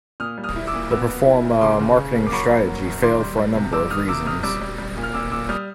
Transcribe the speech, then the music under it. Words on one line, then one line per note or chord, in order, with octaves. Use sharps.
The Performa marketing strategy failed for a number of reasons.
A#2 D#6 F6
G3
D#6 F6
E4
D6 E6
A#2
B3 D6 E6
B3
E4
A#2
C#3 C6 D6
C#3
C#3
A#3
D6
F#3 B5 C#6
A#3
F#3
F#2
D#3 C6 D6
G3
G3
C3
G3 D6 E6
D#3 D#6 F6
C3 D6 E6
C3 D#6 F6
G3 D6 E6
G3
G3
A#2
F6
A#2 D6 E6
A#2 D6 E6
G3 D#6 F6